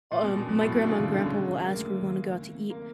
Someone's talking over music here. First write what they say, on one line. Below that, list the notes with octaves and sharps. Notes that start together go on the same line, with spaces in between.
um, my grandma and grandpa will ask if we wanna go out to eat,
A#2
B2 C#4
A#2
B2 F#3
A2
B2 A3
D3
C#3
D#3
D3
G#3 C#4
F#3
A#3
A3
D#3
A3
C4
A#3